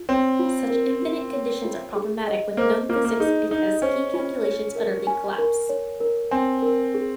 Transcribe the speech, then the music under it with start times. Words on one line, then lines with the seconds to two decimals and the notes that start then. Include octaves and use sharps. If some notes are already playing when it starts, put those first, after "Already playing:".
Such infinite conditions are problematic with known physics because key calculations utterly collapse.
Already playing: F4
0.09 C4 C#5
0.39 F4
0.70 A#4
1.02 F4
1.33 C#5
1.64 F4
1.95 G#4
2.27 D#5
2.57 A#3 C5
2.89 A#3 F4
3.05 A#3
3.20 D#4 G#4
3.51 D#4 D#5
3.82 C#4 C5
4.14 F4
4.45 C#5
4.75 A#4
5.07 G#5
5.38 A#4
5.69 C#5
6.00 A#4
6.31 C4 G#5
6.62 A#4
6.94 G#4